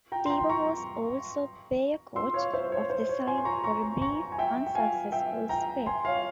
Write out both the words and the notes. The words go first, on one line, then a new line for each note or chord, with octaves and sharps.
Stevo was also player-coach of the side for a brief, unsuccessful spell.
G5 A#5
C6
G5 A#5
A#5 C#6
C6 E6
C#5 F5
C5 E5
C#5
C5
C#5
G#5 C6
C6
A#5 C#6
A#5 C#6
A#5 C#6
G#5
E5 G5
G5
F5 G#5
E5 G5
G5 A#5
G#5 C6
C#5 F5